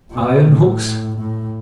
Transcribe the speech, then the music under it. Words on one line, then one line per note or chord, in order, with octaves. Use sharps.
Iron hooks?
B2
A2
A2